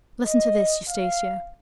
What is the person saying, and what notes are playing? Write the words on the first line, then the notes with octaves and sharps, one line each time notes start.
Listen to this, Eustacia.
D#5
F5